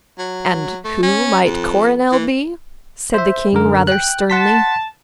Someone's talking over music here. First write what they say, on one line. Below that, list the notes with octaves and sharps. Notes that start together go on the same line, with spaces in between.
"And who might Coronel be?" said the King, rather sternly.
F#3
A3
C#4
F2
E3
C5 E5
F#2 D3 A#4
G5 F#6
F#5 A5 C6 B6